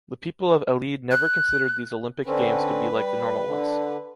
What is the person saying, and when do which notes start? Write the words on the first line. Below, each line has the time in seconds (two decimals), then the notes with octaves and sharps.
The people of Elide never considered these Olympic Games to be like the normal ones.
1.11 F#6
2.27 D3 C4 C#4 B4
2.93 G3
3.47 D3